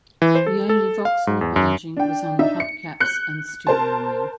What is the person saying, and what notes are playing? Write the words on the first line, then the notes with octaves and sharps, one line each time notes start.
The only Vauxhall badging was on the hub caps and steering wheel.
E3
C5
A4
A4
F5
G#2
E2
F#2
D4 G5
D4 D#4 E5
C#7
F#6 G6 C#7
A#4 C5 A5